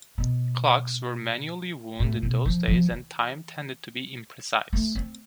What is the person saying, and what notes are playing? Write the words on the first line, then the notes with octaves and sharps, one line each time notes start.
Clocks were manually wound in those days and time tended to be imprecise.
B2
A2
B2
F3
F3
E3
A3
C4